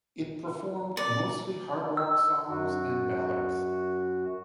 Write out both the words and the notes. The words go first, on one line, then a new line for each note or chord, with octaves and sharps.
It performed mostly hard rock songs and ballads.
D5
F#2 F#4